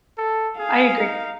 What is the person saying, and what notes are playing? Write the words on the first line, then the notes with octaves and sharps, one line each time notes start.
I agree.
A4
G#4 F5
D#4